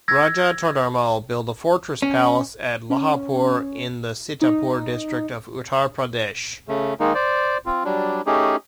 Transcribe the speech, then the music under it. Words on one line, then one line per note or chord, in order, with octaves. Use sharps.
Raja Todarmal built a fortress-palace at Laharpur in the Sitapur district of Uttar Pradesh.
E6 G#6 A#6
C#4
C#4
D#4
C#3 A3
D#3 G#3 A#3 D#4
C5 D5
C4 F4
F#3 G3 D4
A3 C#4 D#4 G4 G#4